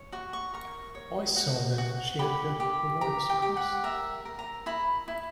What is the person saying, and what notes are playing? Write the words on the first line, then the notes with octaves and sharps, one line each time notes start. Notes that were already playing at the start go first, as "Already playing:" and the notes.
I saw that she had got the wires crossed.
Already playing: C#5
F#4 C#6
C#6
A#4 C#6
C#5
F#4
F#4
G4 B5
G4
G4 A#5
G5
G4
F#5
A#4 E5
A#4
A#5
E4 B5
E4